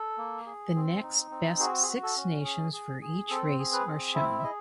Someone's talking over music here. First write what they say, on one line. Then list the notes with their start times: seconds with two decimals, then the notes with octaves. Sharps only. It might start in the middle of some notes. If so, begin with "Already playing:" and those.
The next best six nations for each race are shown.
Already playing: A4
0.18 A#3
0.46 G#4
0.75 C4
1.03 D#4
1.31 C4
1.59 F#4 G#4
1.83 G#4
1.88 F#4
2.03 A4
2.17 C#4
2.44 G#4
2.73 G#4
3.02 G#4
3.30 C4 A4
3.59 G#4
3.73 B4
3.87 C4
4.15 E4 E5
4.39 E5
4.43 G#4 D#5